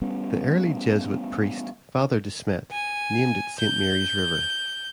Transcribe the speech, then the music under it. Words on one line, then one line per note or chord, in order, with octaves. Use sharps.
The early Jesuit priest, Father De Smet, named it Saint Mary's River.
G3 B3 C#4
G#5
G6